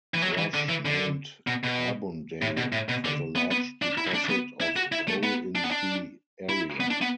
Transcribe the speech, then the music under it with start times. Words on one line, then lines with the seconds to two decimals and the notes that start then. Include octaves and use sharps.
Brush named Carbondale for the large deposit of coal in the area.
0.14 E3
0.22 F#3
0.38 E3
0.54 D3
0.69 E3
0.86 D3
1.47 B2
1.64 B2
2.42 A2
2.57 B2
2.72 A2
2.89 B2
3.05 D3
3.36 B3
3.51 B3
3.82 D4
3.98 E4
4.15 D4
4.30 B3
4.61 E4
4.76 F#4
4.92 E4
5.08 A3
5.23 B3
5.55 D4
5.64 B3
5.71 D4
6.49 E4
6.80 B3
6.91 D4
7.01 B3